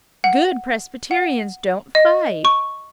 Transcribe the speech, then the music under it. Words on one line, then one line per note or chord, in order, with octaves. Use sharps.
"Good Presbyterians don't fight."
F#5
F#5
D#5
C#6